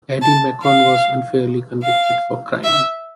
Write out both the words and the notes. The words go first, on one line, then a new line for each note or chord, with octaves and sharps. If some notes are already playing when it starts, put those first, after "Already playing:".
Eddie Macon was unfairly convicted for crime.
A5
F5
F5
E5